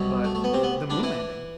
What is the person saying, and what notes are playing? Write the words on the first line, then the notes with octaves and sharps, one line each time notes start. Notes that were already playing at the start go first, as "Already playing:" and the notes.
but the moon landing.
Already playing: C2 B2 F#3
A3
A3
B3
C3 C4
B3
D3 D4
E3 E4